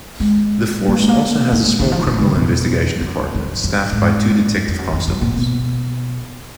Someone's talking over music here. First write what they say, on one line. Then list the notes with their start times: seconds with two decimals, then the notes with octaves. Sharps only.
The force also has a small criminal investigation department staffed by two detective constables.
0.20 G#3
0.88 A#3
0.98 G#3
1.09 A#3
1.52 A#3
1.63 G#3
1.80 D#3
1.92 F3
2.07 D#3
2.20 C#3
2.35 B2
3.01 G#2
3.06 F#2
3.35 F#2
3.64 F#2
3.92 G#2
4.68 F2
4.78 F#2
4.93 F2
5.07 F#2
5.21 A#2
5.36 B2